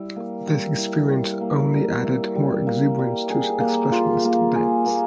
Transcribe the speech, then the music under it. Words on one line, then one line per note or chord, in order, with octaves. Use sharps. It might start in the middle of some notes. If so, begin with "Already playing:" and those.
This experience only added more exuberance to his expressionist dance.
Already playing: G3 E4
A#3
G3
E4
G3
A#3
G3
E4
G3
A#3
G3
G#4
A#3
F4
A#3
G#4
A#3